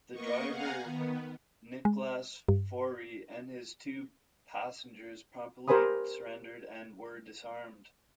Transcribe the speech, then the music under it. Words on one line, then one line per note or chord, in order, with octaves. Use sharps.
The driver, Nicolaas Fourie, and his two passengers promptly surrendered and were disarmed.
A#3 B3 D#5 C#6
F5 F#5 G#5 A#5
D#3 B3
G#3
G2
G4 A#4 C5 G#5 B5 D#6